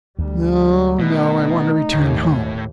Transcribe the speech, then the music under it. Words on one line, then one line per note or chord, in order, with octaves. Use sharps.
"No, no. I want to return home."
D2 G3
B2 A3 D#4
D#2 A2